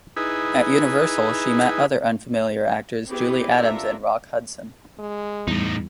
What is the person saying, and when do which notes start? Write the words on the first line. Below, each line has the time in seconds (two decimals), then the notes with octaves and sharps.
At Universal, she met other unfamiliar actors Julie Adams and Rock Hudson.
0.17 D#4 E4 G#4 B4
3.08 B3 C4 E4 G4 G#4 B4
3.56 D4 F4 A4 A#4 E5
4.99 G#3
5.48 E2 A2 G3 D#4